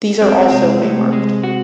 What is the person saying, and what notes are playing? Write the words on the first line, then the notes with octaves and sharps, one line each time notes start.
These are also waymarked.
F#2 C4
C3 G#3
A2 C3
G#3
F#4